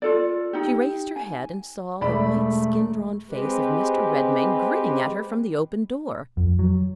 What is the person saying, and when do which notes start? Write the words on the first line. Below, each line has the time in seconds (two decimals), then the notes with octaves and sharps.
She raised her head, and saw the white, skin-drawn face of Mr. Redmain grinning at her from the open door.
0.02 F4 A4 D5
0.53 D#4 G4
1.16 G#5
2.01 E1 A3 D5 B5
3.30 G#3 C4 G4 B4
6.37 F2
6.59 F#3